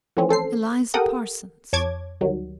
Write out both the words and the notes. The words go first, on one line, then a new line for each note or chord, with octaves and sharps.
"Eliza Parsons."
E3 F3 A3 C4 C#4
C#4 A4 C5 C7
G4 A4 A#4 F#5 G5 D#6
F2 C#5 A5 D6 G#6
D2 D#3 F#3 G3